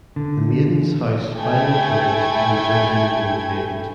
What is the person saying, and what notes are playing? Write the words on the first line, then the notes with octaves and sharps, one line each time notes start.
The Maidens’ House finally closed and the building remained vacant.
D3
A3 E4 G5 G#5 G#6